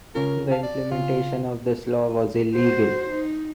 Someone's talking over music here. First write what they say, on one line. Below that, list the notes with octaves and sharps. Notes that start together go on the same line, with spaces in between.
The implementation of this law was illegal.
C#3 C#4 F4 A#4
F5 A5
D5
C#3 F4
F#4 C5
D#4